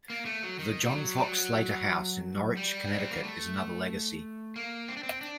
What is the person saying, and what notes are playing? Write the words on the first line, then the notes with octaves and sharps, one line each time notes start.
The John Fox Slater House in Norwich, Connecticut is another legacy.
A#3
A3
F#3
D#3
G3
F#3
G3
F#3
G3
D4
C4
A#3
A3
A#3
C4
D4
C4
D4